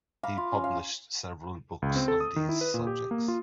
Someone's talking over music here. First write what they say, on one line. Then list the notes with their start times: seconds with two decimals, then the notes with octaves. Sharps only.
He published several books on these subjects.
0.23 F5 A#5 B5 D6
0.37 F4
0.52 C#4
0.64 F5
1.82 C#2
1.96 C4
2.08 A4
2.20 D#6
2.36 D#3
2.49 E4
2.61 B4
2.74 A#2
2.87 G4
3.11 A#3
3.28 F4